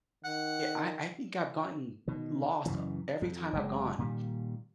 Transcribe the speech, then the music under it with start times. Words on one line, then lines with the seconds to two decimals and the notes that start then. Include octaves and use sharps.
i I think I've gotten lost every time I've gone,
0.25 D#3 F#5
2.08 B2 D#3
2.66 F#2 C#3 E3
3.22 F2
3.53 F#1 G#3
3.99 A#2 D#3 E3 G3